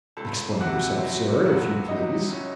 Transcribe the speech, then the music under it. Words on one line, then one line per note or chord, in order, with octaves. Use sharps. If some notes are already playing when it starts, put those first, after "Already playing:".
"Explain yourself, sir, if you please."
C#2 A4 A5
C3 F#4 F#5
F#3
C#2 F#4 F#5
F#3 D#4 D#5
C#4